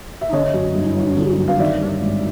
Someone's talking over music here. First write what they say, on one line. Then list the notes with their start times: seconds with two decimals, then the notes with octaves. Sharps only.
'Oh! we all knew you would come.
0.21 E5
0.32 D3 C#5 D#5
0.54 F#2
0.75 G1
0.97 F#3
1.17 D3
1.38 F#2
1.48 F5
1.59 D#3 D5 E5
1.81 G2
2.01 G#1